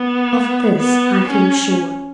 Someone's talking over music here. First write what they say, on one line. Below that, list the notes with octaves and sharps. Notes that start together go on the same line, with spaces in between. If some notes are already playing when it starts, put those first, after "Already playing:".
Of this I feel sure.
Already playing: B3
B3
C#4